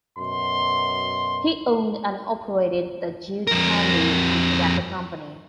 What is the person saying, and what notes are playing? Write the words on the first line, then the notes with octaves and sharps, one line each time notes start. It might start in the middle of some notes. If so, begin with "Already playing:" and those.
He owned and operated the Jude Candy and Tobacco Company.
F#2 B2 C6
F2 A#4